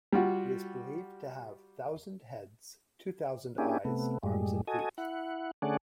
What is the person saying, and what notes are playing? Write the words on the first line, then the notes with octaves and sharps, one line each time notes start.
He is believed to have thousand heads, two thousand eyes, arms and feet.
G3 F4 F#4
A#3 C#4 D4 E4 G4 G#4
C3 A3 B3
F#2 A2 G3 G#3
F#4 A4 D#5 G#5
E4 F#5
D3 A3 C#4 G#4 D5 F#5